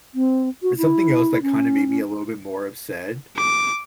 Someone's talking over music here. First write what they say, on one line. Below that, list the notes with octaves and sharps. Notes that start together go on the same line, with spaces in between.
and something else that kinda made me a little bit more upset,
C4
F#4
E4
C#4
D6